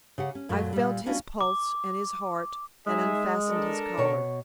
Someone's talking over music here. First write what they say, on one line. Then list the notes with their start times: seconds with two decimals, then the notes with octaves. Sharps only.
I felt his pulse and his heart, and unfastened his collar.
0.18 C#3 G4 F#5
0.35 C#4
0.49 F#2 A#2 F#3 A3 A#3
0.73 A#2 G3
1.06 A#3 B3 C#4 D4 E4 F#4
1.41 D6
2.87 G#3 D#4 G#4 E5
3.49 D4 A4 A#4
3.98 B2 C#5